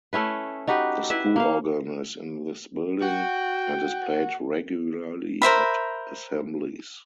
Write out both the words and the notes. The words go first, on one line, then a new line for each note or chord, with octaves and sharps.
The school organ is in this building, and is played regularly at assemblies.
A3 C#4 E4 B4
D#4 F#4 G4 B4
E4 B4 E5
A#3 F5
F#4 G5
A#4 C5 E5 B5